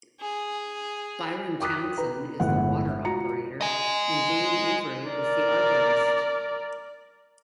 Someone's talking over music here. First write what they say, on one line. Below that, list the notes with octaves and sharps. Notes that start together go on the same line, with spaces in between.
Byron Townsend is the water operator, and Dane Avery is the arborist.
G#4
G5 D6 D#6 F#6 B6
B4 A#5
G1 A2 G#3 E4 F#5
F4 F#4 A#5 C#7
D#5 G#5
A#4 D5